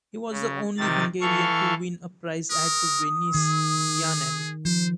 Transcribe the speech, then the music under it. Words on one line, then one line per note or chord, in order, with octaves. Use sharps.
He was the only Hungarian to win a prize at the Venice Biennale.
C#3
C3 D#3 A6
E3 A4 F5 C#6
A#4 D#6
D#3 G#4
F3 C5